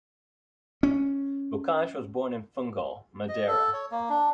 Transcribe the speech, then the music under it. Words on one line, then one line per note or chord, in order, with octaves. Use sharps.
Bocage was born in Funchal, Madeira.
C#4
D#5
A4
C#5
A#3
D4